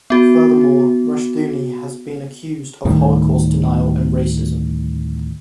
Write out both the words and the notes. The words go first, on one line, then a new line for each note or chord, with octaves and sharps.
Furthermore, Rushdoony has been accused of Holocaust denial and racism.
B3 F#4
D2 A2 D#3 G3